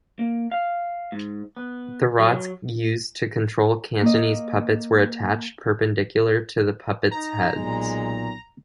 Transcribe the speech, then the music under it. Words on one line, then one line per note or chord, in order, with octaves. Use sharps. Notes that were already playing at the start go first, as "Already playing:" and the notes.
The rods used to control Cantonese puppets were attached perpendicular to the puppets' heads.
A#3
F5
G#2
B3
F#3
A#3 D#5
D#4 A#5
B1 A#2 G#3